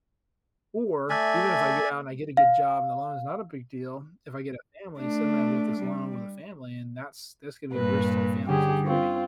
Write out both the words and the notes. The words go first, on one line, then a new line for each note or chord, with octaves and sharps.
or, even if I get out and I get a good job and the loan is not a big deal, if I get a family, suddenly I've got this loan with a family and that's that's gonna be a risk to the family security.
A3 D5 E5 G#5
F5
A3 D4
G3
G2 A#2 B4
D3 G3 C#4 G4 G#4 E7
C4 F4 C#6